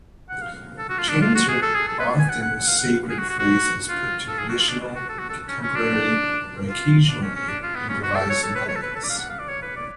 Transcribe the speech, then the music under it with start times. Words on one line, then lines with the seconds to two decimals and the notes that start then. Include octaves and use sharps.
Chants are often sacred phrases put to traditional, contemporary or occasionally improvised melodies.
0.29 F#5
0.42 F5
0.79 A4
0.89 F#4
0.98 F4
1.09 D4
1.22 F4
1.35 F#4
1.48 G#4
1.62 A4
1.75 G#4
1.88 A4
1.99 B4
2.19 G#5
2.29 F#5
2.42 F#5
2.56 F#5
2.68 F5
2.79 F#5
3.09 G#4
3.18 F#4
3.29 F#4
3.39 F#4
3.89 F4
4.28 A4
4.39 G#4
4.49 F#4
4.60 F4
4.68 D4
4.95 F#4
5.09 A4
5.19 F#4
5.29 A4
5.48 C#4
5.63 C#4
5.75 D4
6.69 F4
7.08 D4
7.22 C#4
7.36 C#4
7.48 D4
7.63 F4
7.75 B3
7.89 C#4
8.03 F#4
8.16 A4
8.30 C#5
8.43 A4
8.55 B4
8.68 C#5
8.76 A4
8.83 B4
8.96 A4
9.04 D5
9.10 F5
9.19 F#5
9.30 F5
9.39 D5
9.49 C#5
9.62 B4
9.76 D5